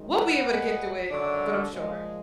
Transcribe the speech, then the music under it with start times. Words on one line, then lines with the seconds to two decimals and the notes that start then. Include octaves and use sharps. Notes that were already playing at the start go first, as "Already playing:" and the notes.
we'll be able to get through it, but I'm sure.
Already playing: F#2 D#3 G#3
0.16 B3
0.47 A#2 G#3
1.09 F#2 D3 D#3 F#3 D4
1.73 A#2 F3 G#3